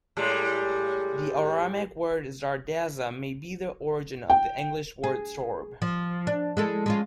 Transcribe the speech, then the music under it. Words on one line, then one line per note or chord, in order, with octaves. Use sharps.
The Aramaic word 'zardasa' may be the origin of the English word 'sorb'.
A2 G3 G#3
G5
G#4
F3
D4
G#3 E4 A4
G#3 C#4 F4